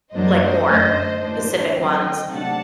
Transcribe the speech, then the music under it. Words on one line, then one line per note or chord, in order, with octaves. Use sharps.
like, more Pacific ones,
F#2 F#3 A#3 D4 C5 D#5
F#2 D3 A3 C5 D#5
A2 A3 D4 C5 D#5
D2 D3 F#3 C4 D#4 D#5 G5
C3 F#3 A3 D4 F#5 A5